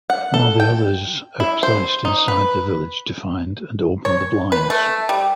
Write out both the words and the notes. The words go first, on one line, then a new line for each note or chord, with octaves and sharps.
While the others are placed inside the village to find and open the blinds.
F#5
A4
G5
E4
C5
D#4
B4
C#5
B4
A3
G3